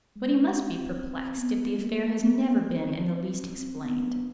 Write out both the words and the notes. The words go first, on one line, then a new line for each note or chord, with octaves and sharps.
But he must be perplexed, if the affair has never been in the least explained.
G#3
C4
C4
B3
A#3
B3
C4
C4
B3